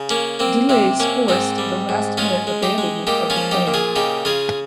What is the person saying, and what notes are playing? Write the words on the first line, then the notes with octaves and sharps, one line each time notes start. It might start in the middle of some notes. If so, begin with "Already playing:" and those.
Delays forced the last-minute abandonment of the plan.
Already playing: C#3
A#3 C#4
A#3 C4
C3 C4
A#3 C#4
G#2 C4 D#4
G3
G#2
G#3 C#4 F4
G#3
D#4 G4
G#3
A#2 D#4 G4
C#4 F4
F3
D#4 G4
A#2
F4 G#4
C#3 D#4 G4
C#3 F4 G#4